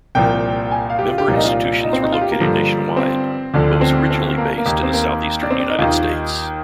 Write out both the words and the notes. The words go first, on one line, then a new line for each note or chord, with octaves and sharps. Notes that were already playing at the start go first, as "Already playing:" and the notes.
Member institutions were located nationwide, but was originally based in the southeastern United States.
C2 A#2 F3 G5
G#5
F5
G4
F4
G4
C2 A#2 F3 F4
D#4
F4
D#4
C4
D#4
F4
G4
A#3
G2 D3 F3
C4
D2 D3 F3
C4
C4
A#3
A#3
D#2 D#3
C4
A#3
D4
C4
D4
D#4
D#2 D#3 F4